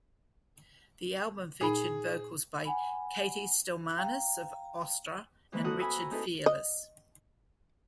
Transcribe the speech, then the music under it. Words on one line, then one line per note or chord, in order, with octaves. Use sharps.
The album featured vocals by Katie Stelmanis of Austra and Richard Fearless.
A#2 D#4 G#4 B5
F#5 G#5 B5
F5 G5 A#5
D3 E3 G#3 A#3 C4 B4
F#4 A4 D#6 F#6
G#5 B5 D#6 E6
A#5
C4 D#4 E4 G#4 A4 B4
D#5